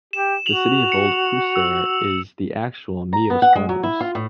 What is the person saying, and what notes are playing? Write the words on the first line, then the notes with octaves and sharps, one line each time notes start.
The city of old Qusair is the actual Myos Hormos.
G4 E7
F#4 F7 F#7
C#7
E6
A#5
B3
F#5
G#3
F#3
E4
F4
A2